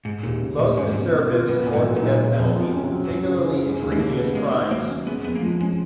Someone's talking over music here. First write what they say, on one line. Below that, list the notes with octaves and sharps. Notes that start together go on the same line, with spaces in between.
Most conservatives support the death penalty for particularly egregious crimes.
G#2 G#3
D#2 A#2
C#3
D#2 A#2
G#2 C#4
B2
A#3
F4
F#2 B3
A#2
G#2
F#3
A#2
D#4
G#3
F2
F3
C#4
F#3
F#2
C#3
C#4
G#3
D#2
G#3
C#3 A#3
B3
G#3 A#3
D#3
F#3 A#3
C#4
G#3 B3
F2 B3
A#3
F3 G#3
G#3 C#4